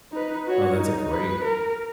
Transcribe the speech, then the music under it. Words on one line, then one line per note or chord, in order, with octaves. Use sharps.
Oh, that's a great
D#4 B4
F#4 C#5
D#4
B4
A#4